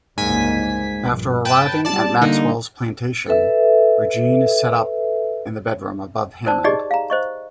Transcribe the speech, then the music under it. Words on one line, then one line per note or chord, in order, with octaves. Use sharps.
After arriving at Maxwell's plantation, Regine is set up in the bedroom above Hammond.
F#1 C2 G#2 A#3 G#5 B6
A#1 G2 A#2
B4 G5 A5
G3 D5 A5
D3 A#3 D#4
A4 B4 E5
A#4 C5 D5 A5
D#4 G4 G#4 D5 D#5
F5 A#5
C5 D#5 C#6